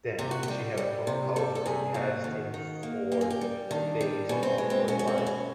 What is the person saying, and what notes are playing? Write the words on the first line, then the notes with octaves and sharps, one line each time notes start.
Then she had a phone call from casting for "Days Of Our Lives".
C3 G4
F#4
G4
G3
G3
C3
G3 A4
A4
C3 G#4
A#3 F#4
D#3
D#3
A#3
A#3 G4
G#4
G4
G3
D#3 D4
G3
B2 C#4
C4
G#3
C4
B2 C#4
C#4
C4
B2
C#4